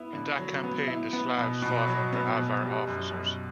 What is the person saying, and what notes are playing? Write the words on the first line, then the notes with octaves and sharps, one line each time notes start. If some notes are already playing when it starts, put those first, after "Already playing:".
In that campaign the Slavs fought under Avar officers.
Already playing: B3 E4
D3
F#3
B3
E4
B3
B2
B2
F#3
B3
B2
G3
F#2
F#2